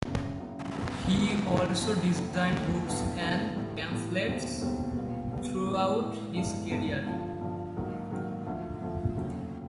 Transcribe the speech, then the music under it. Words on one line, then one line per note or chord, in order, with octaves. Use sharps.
He also designed books and pamphlets throughout his career.
F#1 F#2 C#3
F#1 F#2 C#3
C#3 F#3 B3
C#3 F#3 B3
G2 E3 A3 C4 E4
G2 E3 A3 C4 E4
F1 D#2 D3
F1 D#2 D3
G2 D3 F#3 B3 E4
G2 D3 F#3 B3 E4
A2 E3 G3
A2 E3 G3
E1 D#2 D3 G3 C4
E1 D#2 D3 G3 C4
B1 A#2 G3 B3
B1 A#2 G3 B3
A2 E3 G#3 B3
A2 E3 G#3 B3
G1 G2 E3 G#3
G1 G2 E3 G#3
G2 D3 F3
G2 D3 F3
G#2 D#3 F#3 A#3
G#2 D#3 F#3 A#3
D2 D3 F3
D2 D3 F3
F1 D#2 C#3 F#3